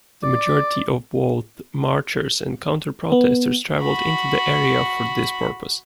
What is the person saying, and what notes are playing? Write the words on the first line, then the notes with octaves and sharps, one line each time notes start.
The majority of both marchers and counter-protesters travelled into the area for this purpose.
D5
B3
F#4 B5